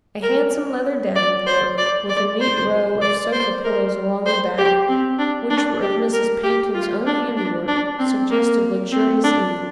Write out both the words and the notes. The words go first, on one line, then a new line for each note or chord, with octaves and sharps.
A handsome leather davenport with a neat row of sofa pillows along the back, which were of Mrs. Pantin's own handiwork, suggested luxurious ease.
A#4
D5
C5
D5
D5
C5
D5
C5
A#4
C5
G4
C4
D4
D4
G4
A#4
G4
F4
D4
D4
D4
C4
A#3
C4
D4